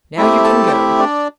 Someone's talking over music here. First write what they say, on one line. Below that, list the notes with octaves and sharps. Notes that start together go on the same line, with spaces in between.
"Now you can go."
A3 C4 E4 G4 E5
A4 A5
G5
E4 E5
D4 D5